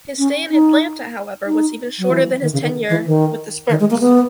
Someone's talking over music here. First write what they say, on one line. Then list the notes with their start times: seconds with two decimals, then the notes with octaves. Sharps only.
His stay in Atlanta, however, was even shorter than his tenure with the Spurs.
0.18 C#4
0.50 D#4
1.46 D#4
1.99 F#3
2.10 E3
2.42 D#3
2.53 C#3
2.63 D#3
2.90 E3
3.06 D#3
3.69 D#3
3.80 G#3
3.90 A#3
4.01 B3